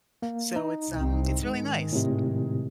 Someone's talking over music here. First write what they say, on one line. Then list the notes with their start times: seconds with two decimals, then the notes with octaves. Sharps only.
So it's, um it's really nice,
0.22 A#3
0.56 D#4
0.91 C2 C4
1.44 G#2 D#3 G#3
1.92 A2 C3